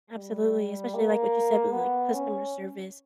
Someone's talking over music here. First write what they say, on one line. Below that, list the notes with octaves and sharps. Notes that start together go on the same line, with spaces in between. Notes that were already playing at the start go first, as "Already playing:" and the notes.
Absolutely, especially, like, what you said with, like, customer service.
G3
A#3
B3
C#4